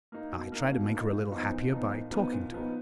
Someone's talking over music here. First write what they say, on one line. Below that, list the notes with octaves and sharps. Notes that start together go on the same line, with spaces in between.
I tried to make her a little happier by talking to her.
A#3 D#4
B2
A#3 D#4
B2
A#3 D#4
A#2
F3 B3 D#4
A#2
F3 B3 D#4
A#2
F3 B3 D#4
A#2
F3 B3 D#4